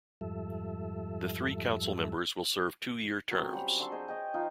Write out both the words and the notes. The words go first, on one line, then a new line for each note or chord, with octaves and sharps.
The three Council Members will serve two-year terms.
F2 G#2 F3 G3 A4 E5
F#3 C4 C#4 G5
F#3 G3 F#5
D4 F#5 C6 E6
G#4 C5 C#5 D#5
C#5 D#5 G5
F3 D#4 F4